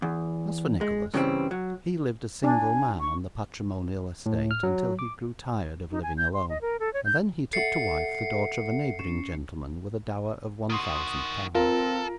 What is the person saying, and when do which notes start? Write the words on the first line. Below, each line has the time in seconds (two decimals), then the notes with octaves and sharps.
As for Nicholas, he lived a single man on the patrimonial estate until he grew tired of living alone, and then he took to wife the daughter of a neighbouring gentleman with a dower of one thousand pounds.
0.02 E2
0.81 G#3
1.14 G2 C#3 E3 G3 C4
1.51 F#3
2.44 D4 G#5
3.00 C#6
4.26 A2
4.51 F6
4.63 F#3
4.99 D6
5.91 D#4
6.03 G#5
6.18 G6
6.33 C6
6.49 D#5
6.61 A#4
6.80 A4
6.94 C#5
7.05 G6
7.53 A4 E5 F#5 C7 C#7
8.99 C#4
10.70 D#3 F#4 C6 D#6
11.55 C4 F4 A4 A#4